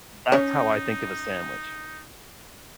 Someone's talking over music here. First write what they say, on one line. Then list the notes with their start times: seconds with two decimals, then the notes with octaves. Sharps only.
That's how I think of a sandwich.
0.32 C#4 D#4 C#5